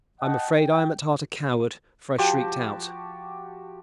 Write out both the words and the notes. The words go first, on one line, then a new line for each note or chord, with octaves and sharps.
I am afraid I am at heart a coward, for I shrieked out.
D#5 F#5 G5 A5
G5
F3 F#4 G4 A5